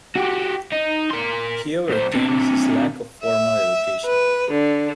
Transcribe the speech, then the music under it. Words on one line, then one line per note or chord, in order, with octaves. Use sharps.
He overcame his lack of formal education.
F#4 G4
D#4
A#4 C6
B1 C5
D3 C4
E5
B4
D3